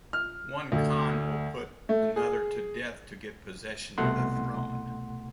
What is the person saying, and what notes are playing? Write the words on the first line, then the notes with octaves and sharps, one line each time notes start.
One Khan will put another to death to get possession of the throne.
F6
D2
A3
G#4
C2 B2 A3 F#5 C6